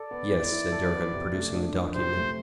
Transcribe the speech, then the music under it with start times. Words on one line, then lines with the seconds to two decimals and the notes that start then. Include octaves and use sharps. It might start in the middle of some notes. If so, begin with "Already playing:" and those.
"Yes," said Durham, producing the document.
Already playing: A4 D5
0.11 B3
0.32 E3
0.52 E4
0.72 A4
0.92 B3
1.14 C3
1.34 A3
1.54 D4
1.75 F3
1.94 C3 C5
2.15 A3